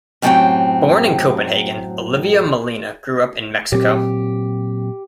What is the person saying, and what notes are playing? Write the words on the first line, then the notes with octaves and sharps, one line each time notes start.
Born in Copenhagen, Olivia Molina grew up in Mexico.
F#2 A2 F#3 C4 G4 G5
A#2 F#3 C4 G4